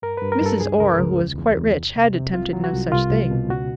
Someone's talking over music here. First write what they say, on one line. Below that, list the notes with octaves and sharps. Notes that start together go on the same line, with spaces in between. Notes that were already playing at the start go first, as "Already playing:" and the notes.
Mrs. Orr, who was quite rich, had attempted no such thing.
G2 A#4
G2 B4
A#4
G2 A4
C#2 G#4
C#2 A#4
C#2
E2
E2
E2
C2
C3
C3
C2 F4
F#3
F#4
C2
C2 F4
C2
B2
C#2 F#4